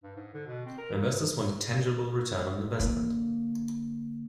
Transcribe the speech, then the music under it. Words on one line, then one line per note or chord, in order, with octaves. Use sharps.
Investors want a tangible return on investment.
G2
G#2
D3
B2
C4
A#4
D3 A#3